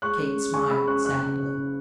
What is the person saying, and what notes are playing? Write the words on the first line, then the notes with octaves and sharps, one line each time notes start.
Kate smiled sadly.
G#3 C#6 F#6
C#4
G#3
G#3 G#5 C#6
G#3 B5 E6
C#4 C#6 F#6
F#1 C#6 F#6
C#3
C#3
C#3